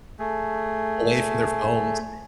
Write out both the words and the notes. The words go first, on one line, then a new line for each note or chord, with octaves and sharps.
away from their phones,
A3 G#4